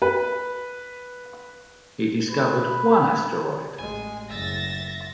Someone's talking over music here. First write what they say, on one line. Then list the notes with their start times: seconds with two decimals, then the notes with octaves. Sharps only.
He discovered one asteroid.
0.02 B4
2.30 B4
3.79 A1 G#3 G#5
4.30 F#1 E5 A6 A#6